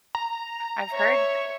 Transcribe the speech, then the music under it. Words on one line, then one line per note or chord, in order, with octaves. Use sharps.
I've heard
A#5
C#5 E5